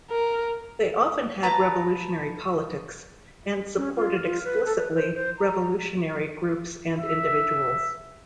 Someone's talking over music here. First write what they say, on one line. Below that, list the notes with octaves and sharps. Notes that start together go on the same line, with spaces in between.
They often had revolutionary politics, and supported explicitly revolutionary groups and individuals.
A#4
B4 A5 A#5
C#4
F4
F4
B4
A4
B4
C5
C5
A#5
E5